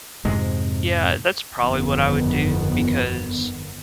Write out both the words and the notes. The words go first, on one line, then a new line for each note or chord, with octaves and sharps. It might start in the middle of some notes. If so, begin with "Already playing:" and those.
Yeah, that's probably what I would do because,
F2 G#2 C3 G#3
G1 F2 D#3 B3